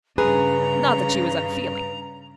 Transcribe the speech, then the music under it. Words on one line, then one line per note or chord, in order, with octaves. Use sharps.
Not that she was unfeeling.
G2 C#3 G#4 B4 A#5